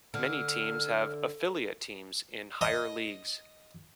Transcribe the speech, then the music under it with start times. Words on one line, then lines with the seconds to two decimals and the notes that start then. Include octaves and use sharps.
Many teams have affiliate teams in higher leagues.
0.14 D3 F6
2.61 D#5